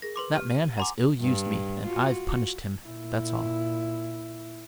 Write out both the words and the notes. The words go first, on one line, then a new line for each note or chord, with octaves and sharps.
"That man has ill-used me, and I've punished him; that's all."
G#4 A#4 A#6
B4 C6 D6
G4 F6
D#7
F#5 G#5 A#5 C6 D6
G2
F4 F#4
A#2 E4